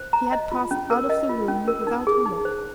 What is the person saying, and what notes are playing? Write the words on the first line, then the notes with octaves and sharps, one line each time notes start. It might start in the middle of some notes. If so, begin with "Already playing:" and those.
He had passed out of the room without a look!
Already playing: C5
A#5
D#5
F4
C#4
A#4
D#5
F4
C#4
A#4
D#4
G#4
D#4
C5